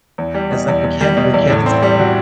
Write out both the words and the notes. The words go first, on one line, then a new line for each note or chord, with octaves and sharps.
It's like we can't we can't install
E2
G3
B2
E2
E2
G3
B2
E2
A2
C4
G3
F#4